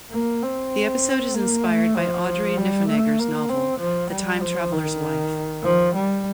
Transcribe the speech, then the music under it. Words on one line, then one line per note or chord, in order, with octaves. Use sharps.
The episode is inspired by Audrey Niffenegger's novel "The Time-Traveler's Wife".
A#3
C4
A#3
A3
F3
G3
A3
A#3
C4
F3
G3
F3
D#3
F3
G3